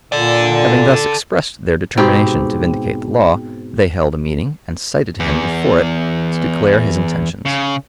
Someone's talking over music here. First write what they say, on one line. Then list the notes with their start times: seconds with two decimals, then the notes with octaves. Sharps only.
Having thus expressed their determination to vindicate the law, they held a meeting, and cited him before it to declare his intentions.
0.12 A#2 A4 D5
1.97 G#2 B2 C4 G4
5.20 E2
7.45 C#3